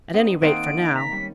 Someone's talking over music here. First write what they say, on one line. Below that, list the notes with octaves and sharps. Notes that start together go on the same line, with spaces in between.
"At any rate, for now."
B3 C4 D#4
D#3 A#3 C4 D#5 F#5 A#5 D7
A#5 B6
G3 C#4